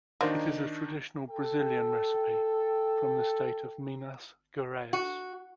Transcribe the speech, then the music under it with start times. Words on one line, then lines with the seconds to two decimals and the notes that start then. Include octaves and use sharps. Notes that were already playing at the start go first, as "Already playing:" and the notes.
It is a traditional Brazilian recipe, from the state of Minas Gerais.
0.21 D#3 A#3 D4 D#4 F#4 C5
1.29 A4 G5
4.93 F#4